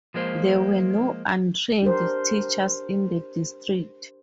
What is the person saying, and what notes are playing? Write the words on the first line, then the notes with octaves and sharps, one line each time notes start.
There were no untrained teachers in the district.
F3 G#3 A#3 C5
D4 G4 A#4 C5